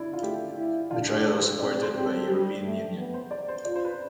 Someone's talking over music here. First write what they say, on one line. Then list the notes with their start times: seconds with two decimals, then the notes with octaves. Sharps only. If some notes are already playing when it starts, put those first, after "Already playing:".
The trial was supported by European Union.
Already playing: D4 E4
0.13 F4
0.22 A3 G4
0.57 E4
0.91 D4 F4
1.08 G4
1.25 A4
1.42 C5
1.59 C4 D5
1.83 C5
1.94 C4 G4
2.06 A4
2.28 G3 G4
2.63 A3
2.97 B3
3.14 C5
3.31 D5
3.48 C5
3.65 F4 D5
3.75 C5
3.85 B4